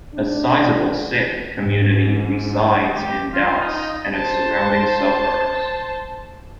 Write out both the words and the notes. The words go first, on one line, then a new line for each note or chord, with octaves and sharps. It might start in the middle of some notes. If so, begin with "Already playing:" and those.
A sizable Sikh community resides in Dallas and its surrounding suburbs.
D4
G#2
G4
F4
D#4
D#4
C5 A5